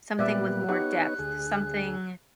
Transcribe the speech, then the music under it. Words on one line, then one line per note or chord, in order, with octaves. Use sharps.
Something with more depth. Something
A#2 G3 B3 D5 E5 F#6
B3 D#4 G4 C#5 F#5
D2 G#4